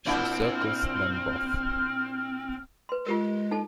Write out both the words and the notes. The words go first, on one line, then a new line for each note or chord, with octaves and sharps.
She circles them both.
A#2 C4 D4 E4 F6
B4 C6
G#3 F4 G4 A#4
D#4 A4 A5